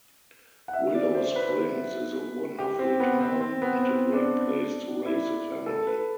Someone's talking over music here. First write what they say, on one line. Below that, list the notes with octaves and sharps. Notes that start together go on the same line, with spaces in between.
Willow Springs is a wonderful town and a great place to raise a family.
F#5
E5
D5
C5
B4
G4
C4
B3
C4
C4
B3
C4
D4
E4
A4
B4